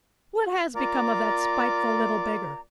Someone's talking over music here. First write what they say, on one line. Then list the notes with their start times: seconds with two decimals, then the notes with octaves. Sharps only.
"What has become of that spiteful little beggar?"
0.75 A#3 F4 D5 A#5